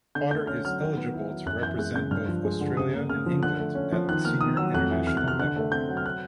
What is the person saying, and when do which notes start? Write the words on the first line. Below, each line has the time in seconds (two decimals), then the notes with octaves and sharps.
Potter is eligible to represent both Australia and England at senior international level.
0.15 D3 G6
0.31 A3 G6
0.47 C#4 F6
0.65 F#3 F6
0.80 D#3
0.98 B3
1.14 E4
1.29 F#3
1.46 F#2 F#6
1.62 E3 G6
1.79 G#3 F#6
1.96 C#3 G6
2.11 G2 F6
2.29 F3
2.45 G#3
2.61 D3
2.77 C#3 D#6
2.94 A#3
3.09 C#3 F6
3.26 F3
3.43 D3 F#6
3.59 A3
3.75 C#4
3.92 F3
4.08 D#3 F#6
4.25 A#3 F6
4.41 D#3 D#6
4.57 F#3 E6
4.74 F2 F#6
4.90 E3
5.06 F2 F6
5.17 F#6
5.23 C3 F6
5.39 D3 F#6
5.56 A3
5.72 C4 G6
5.89 F#3
5.97 F6
6.06 F#6